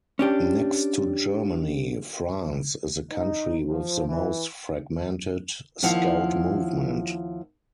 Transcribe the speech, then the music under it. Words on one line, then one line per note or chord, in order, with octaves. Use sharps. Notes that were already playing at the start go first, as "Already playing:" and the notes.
Next to Germany, France is the country with the most fragmented Scout movement.
C#4 D4 G4
D#4
F3
E3
D#2 F3 E4 F5 F#5